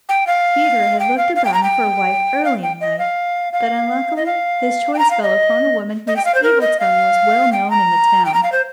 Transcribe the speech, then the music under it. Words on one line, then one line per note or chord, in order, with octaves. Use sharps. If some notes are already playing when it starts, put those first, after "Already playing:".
Peter had looked about him for a wife early in life, but unluckily his choice fell upon a woman whose evil tongue was well known in the town.
G5
F5
G5
F5
F5
G5
A#5
G5
F5
G5
D#5
F5
F5
D#5
F5
G5
A#5
F5
D#5
D#5
G5
F5
C5
A#4
D#5
F5
G5
A#5
G5
A#5
F5
C5